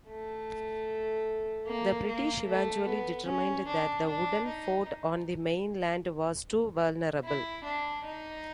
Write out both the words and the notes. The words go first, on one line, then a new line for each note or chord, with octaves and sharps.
The British eventually determined that the wooden fort on the mainland was too vulnerable.
A3
A#3
A#3
A3
B3
C#4
D4
D4
D#4
E4
D4
D#4